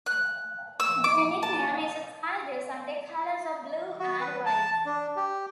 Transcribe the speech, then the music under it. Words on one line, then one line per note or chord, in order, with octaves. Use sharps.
Their nickname is the Tigers and their colors are blue and white.
F#6
E6
D6
A5
F#4
B4
A5
D4
G4